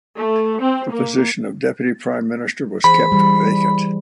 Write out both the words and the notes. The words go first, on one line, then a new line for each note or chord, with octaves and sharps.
The position of Deputy Prime Minister was kept vacant.
A3
C4
A#3
E3 G#4 C5 B5
E3 G3